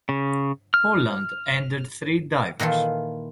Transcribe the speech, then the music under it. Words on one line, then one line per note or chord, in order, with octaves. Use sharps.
Poland entered three divers.
C#3
F6
A#2 D#3 E3 F4 A4